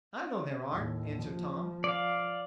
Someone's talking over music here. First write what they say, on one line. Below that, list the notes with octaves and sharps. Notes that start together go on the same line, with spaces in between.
"I know there aren't," answered Tom.
D#2 A2
F3
D5 F5